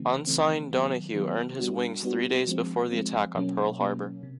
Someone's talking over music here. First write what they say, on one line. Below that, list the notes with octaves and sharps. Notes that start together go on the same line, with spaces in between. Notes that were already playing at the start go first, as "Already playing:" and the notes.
Ensign Donahue earned his wings three days before the attack on Pearl Harbor.
Already playing: C#3 E3 A3 C4
C#3 E3 A3 C4
D#3 F#3 B3
D#3 F#3 B3
G3 B3 D4 F#4
G3 B3 D4 F#4
F3 G#3 C4
F3 G#3 C4
B2 F#3 A#3 C#4
B2 F#3 A#3 C#4
C3